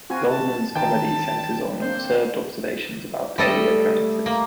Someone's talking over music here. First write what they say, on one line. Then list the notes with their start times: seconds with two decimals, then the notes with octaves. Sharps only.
Gulman's comedy centers on absurd observations about daily occurrences.
0.10 C4 F4 F#4 G#5
0.30 A5
0.75 D#3 E3 D#4 G5 A5
1.81 A#3 C4 D4 C5
3.38 G3 A3 A4 D#5
4.26 A#3